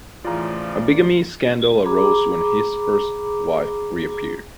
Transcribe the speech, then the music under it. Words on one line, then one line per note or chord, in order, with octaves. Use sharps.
A bigamy scandal arose when his first wife reappeared.
A2 C#3 E3 F3 F4 D5 A#5
G#4 A#5 B5 D6